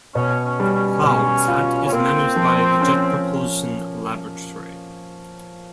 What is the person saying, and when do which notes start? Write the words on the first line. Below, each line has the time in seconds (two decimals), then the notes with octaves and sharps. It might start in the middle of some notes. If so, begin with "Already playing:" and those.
CloudSat is managed by the Jet Propulsion Laboratory.
0.15 B2 C#4
0.45 C#4
0.60 G3
0.74 C#4
1.04 B2 C#4
1.48 F4
1.87 C#4
1.92 A#3 C4
2.36 F3
2.81 C#4